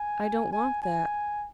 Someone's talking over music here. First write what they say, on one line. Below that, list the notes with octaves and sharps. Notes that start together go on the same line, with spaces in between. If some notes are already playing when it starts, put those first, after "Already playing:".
I don't want that.
Already playing: G#5
G#5
G#5